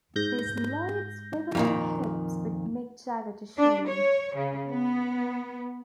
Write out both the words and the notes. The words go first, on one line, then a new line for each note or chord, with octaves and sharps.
Those lithe, swivelling hips put Mick Jagger to shame.
G#2 G6 A#6
F2 A#2 D#3
D4
C#5
C#3
B3